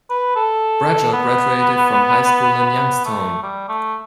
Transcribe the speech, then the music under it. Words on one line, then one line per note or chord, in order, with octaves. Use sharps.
Bradshaw graduated from high school in Youngstown.
B4
A4
B3
B3
A3
G3
A3